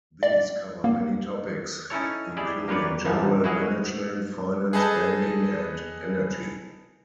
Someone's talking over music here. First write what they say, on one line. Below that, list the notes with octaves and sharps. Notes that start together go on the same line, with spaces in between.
These cover many topics including general management, finance, banking and energy.
D5
A#3
C#4 D#4 E4 A4 C#5
E4 G4 G#4 D5
A#3 G4 B4 C#5 D5
A1 G#2 C3 E3 F3 D#4
E4 F#4 G#4 C#5 D#5 F5
G#4 A4 B4 D#5 A5 G6